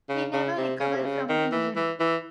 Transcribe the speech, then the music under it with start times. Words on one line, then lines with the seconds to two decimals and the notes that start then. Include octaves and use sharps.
He never recovered from the injury.
0.09 C#3
0.34 C#3
0.57 C3
0.80 C#3
0.95 C3
1.05 C#3
1.29 D#3
1.52 E3
1.76 E3
2.00 E3